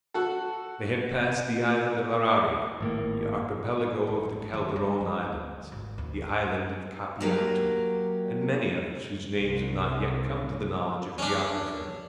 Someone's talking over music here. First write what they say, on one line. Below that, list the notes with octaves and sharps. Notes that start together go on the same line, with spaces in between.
They had passed the island of Araria, the Archipelago of the Calderon islands, the island of Capiatu, and many others whose names have not yet come to the knowledge of geographers.
F#4 A4
G#1 A2 A#3
A1
D#3
G#3
F3
D2
G#1
D2
F#3 A#3 G4
C2
C#4 D4